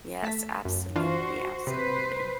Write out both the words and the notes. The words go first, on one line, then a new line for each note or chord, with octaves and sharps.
Yes, absolutely, absolutely.
A3 A5 B6
F#2
E3 D4 F4 F#4 C5
C3 B4 C5